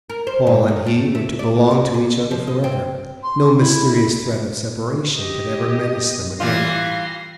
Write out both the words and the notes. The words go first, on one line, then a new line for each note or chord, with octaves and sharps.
Paul and he were to belong to each other forever: no mysterious threat of separation could ever menace them again!
A#4
C5
G#2
D#3
A3
E5
D5
A2
A#2
F3
D#5
C4
C6
E4
G4 D#5
E3 G3 F4 A#6 C7